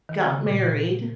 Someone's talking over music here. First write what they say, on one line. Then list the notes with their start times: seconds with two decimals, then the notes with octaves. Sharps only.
got married,
0.09 D#3
0.28 C#3
0.46 A#2